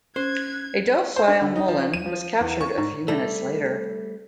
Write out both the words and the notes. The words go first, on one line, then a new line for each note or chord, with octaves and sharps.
A "docile" Mullin was captured a few minutes later.
C#4 C5 F#6 G#6
C5
D4
D3
D#4
F3
D#7
F3
E2
C#6
G#2
G3 A3